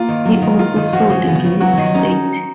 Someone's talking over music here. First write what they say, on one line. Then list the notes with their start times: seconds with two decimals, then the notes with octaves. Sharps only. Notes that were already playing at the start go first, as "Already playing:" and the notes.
He also sold real estate.
Already playing: A#3 F4
0.08 D#3
0.25 F#3
0.42 D#3
0.59 A#3 F4
0.76 D#3
0.93 F3 F#4
1.10 C#3
1.27 B3
1.44 C#3
1.60 F#3 F#4
1.77 D#3
1.94 C#4 D#4